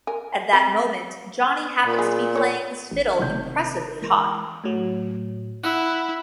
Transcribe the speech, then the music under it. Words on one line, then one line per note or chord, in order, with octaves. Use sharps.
At that moment, Johnny happens to be playing his fiddle impressively hot.
A#4 G#5
C4
A#2
F#3 G#4
A#3 C#5
A1
F#1 C3 D#3 G6
E3 G#3 A#4
A2 F#3
E4 F#5